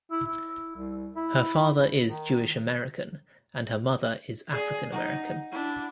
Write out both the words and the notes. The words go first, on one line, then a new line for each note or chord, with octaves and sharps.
Her father is Jewish-American and her mother is African-American.
E4
E4
C2
E4
D#3
G#4 D5
D#4 F#5
D4 E4